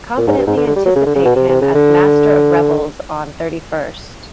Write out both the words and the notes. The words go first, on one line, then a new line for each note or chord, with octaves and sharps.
Confidently anticipate him as Master of Revels on thirty-first.
A#2
G#2
G2
G#2
D3
D3
G3
F#3
C#3
D3
C#3
B2
C3
C3
C#3
D3